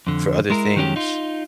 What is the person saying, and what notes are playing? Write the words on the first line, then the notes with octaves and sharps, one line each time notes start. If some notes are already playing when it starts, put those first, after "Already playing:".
for other things,
F2 D3
G#3 E4 A#4
D#3 F#3 G#3 C#4 G4
D#4 F4